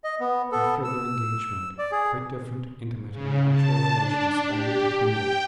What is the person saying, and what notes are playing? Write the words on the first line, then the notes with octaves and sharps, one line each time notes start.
After their engagement, quite different, intimate, and natural relations sprang up between them.
D#5
B3
B3 A4
E6
D5
G#4
C#3
A5
D4
G4
G5